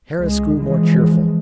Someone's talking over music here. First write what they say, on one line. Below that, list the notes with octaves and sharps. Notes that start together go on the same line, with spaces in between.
Harris grew more cheerful.
C#2 G#3
E3 F3 G#3